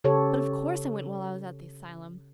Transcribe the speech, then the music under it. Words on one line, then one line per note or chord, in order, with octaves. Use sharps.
But of course I went while I was at the asylum.
C#3 G4 A4 C#5